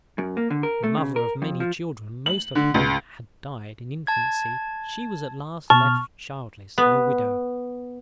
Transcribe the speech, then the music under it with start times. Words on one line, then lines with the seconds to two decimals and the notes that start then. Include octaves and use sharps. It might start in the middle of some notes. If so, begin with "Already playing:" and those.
The mother of many children, most of whom had died in infancy, she was at last left childless and a widow.
0.18 F#2
0.37 A#3
0.50 D3
0.63 A#4
0.84 A3
0.97 C#3
1.16 A#4
1.42 F2
1.60 F3
2.26 F#7
2.55 D3
2.74 C#2
4.07 A5 G#6
5.70 B2 A5 C#6 F6
6.78 B3